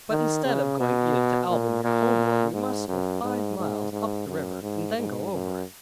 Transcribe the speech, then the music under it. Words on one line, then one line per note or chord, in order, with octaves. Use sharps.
But instead of going either to Albany or homeward, we must go five miles up the river, and then go over it.
D#3
C#3
B2
A#2
A#2
G#2
F#2
G#2
G#2
G#2
F#2
G#2
G#2
F#2